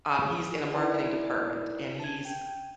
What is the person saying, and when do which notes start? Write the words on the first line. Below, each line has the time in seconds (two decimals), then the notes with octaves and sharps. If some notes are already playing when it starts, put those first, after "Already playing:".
um, he's in a marketing department, and he's
0.22 G#4
0.72 D#4 E4 A#4 B4 D5 G#5
2.00 A5 G#6
2.25 G5